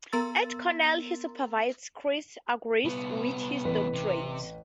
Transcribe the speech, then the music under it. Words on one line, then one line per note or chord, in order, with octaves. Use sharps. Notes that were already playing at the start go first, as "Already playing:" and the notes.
At Cornell he supervised Chris Argyris with his doctorate.
B3 A#4 A#5 C6 E6 A6
C2 B3
A1 B4
C3